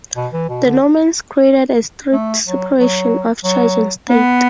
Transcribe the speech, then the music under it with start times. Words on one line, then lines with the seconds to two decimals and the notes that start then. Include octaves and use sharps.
The Normans created a strict separation of Church and State.
0.16 B2
0.33 E3
0.49 B2
0.65 D3
2.13 A3
2.46 F#3
2.79 F#3
3.44 F#3
4.09 B3